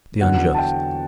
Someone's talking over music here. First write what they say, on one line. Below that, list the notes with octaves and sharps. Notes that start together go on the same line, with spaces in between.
The unjust?
E2 D3 F#3 F#5
A5
G5